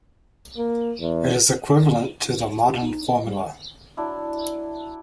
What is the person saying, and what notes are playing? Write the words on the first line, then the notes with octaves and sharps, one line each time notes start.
It is equivalent to the modern formula.
A#3
E2
G4
D#4
D#5
G3
F#3 D4 E4